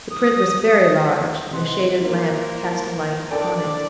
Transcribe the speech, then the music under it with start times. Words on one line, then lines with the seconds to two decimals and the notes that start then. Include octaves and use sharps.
The print was very large, and a shaded lamp cast a light upon it.
0.11 D#6
1.53 C3 G#3 C5 F#5
2.01 A#3 E4 F4 A#4
3.31 D4 E4 G4 A4 A#4 D5 G5